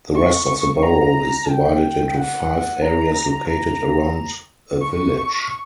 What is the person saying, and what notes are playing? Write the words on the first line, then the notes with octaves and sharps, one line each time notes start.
The rest of the borough is divided into five areas located around a village.
C#6
A#5
G5
F#5
A#5
A#5
C#6